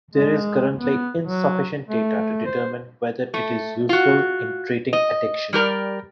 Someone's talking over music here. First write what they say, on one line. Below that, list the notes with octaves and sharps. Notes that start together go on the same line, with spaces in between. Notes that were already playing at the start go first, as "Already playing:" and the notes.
There is currently insufficient data to determine whether it is useful in treating addiction.
G#3
B3
F#3
A3
C5
A3
F4 F#4
D#5
G3 G4 A#4 D5